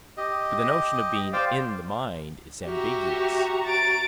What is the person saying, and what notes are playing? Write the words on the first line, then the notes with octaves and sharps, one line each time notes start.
But the notion of being 'in' the mind is ambiguous.
G4 D#5
C5 D5 F5 G5
F#4 G4 E5 A#5
A6 D7